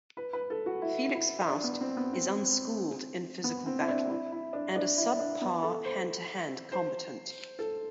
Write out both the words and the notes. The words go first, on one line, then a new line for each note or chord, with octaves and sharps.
Felix Faust is unschooled in physical battle, and a sub-par hand-to-hand combatant.
B4
B4
A4
F#4
E4
E4
D4
B3
C4
B3
C4
B3
C4
E4
D4
E4
E4
D4
D4
E4
D4
B3
A4
C5
C5
A4